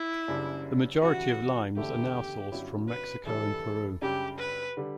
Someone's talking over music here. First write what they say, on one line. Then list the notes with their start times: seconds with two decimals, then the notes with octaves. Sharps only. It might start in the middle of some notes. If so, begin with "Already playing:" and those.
The majority of limes are now sourced from Mexico and Peru.
Already playing: E4
0.28 F#1 F#2 C#3 G3 D4
1.02 C#3 E3 G3 F#4
1.76 F#1 E2 D3 A3 E4 G4
2.51 G1 G2 F#3 C#4 E4
2.89 B4
3.26 A2 E3 G3 D4 A4
4.02 F#2 C#3 G3 D4 G4
4.39 B4
4.77 D3 G3